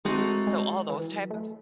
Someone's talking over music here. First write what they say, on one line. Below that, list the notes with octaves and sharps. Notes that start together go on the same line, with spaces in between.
so all those type of
G#3 A3 C4 D#4 F#4 A4
G#3
E3
F#3
A3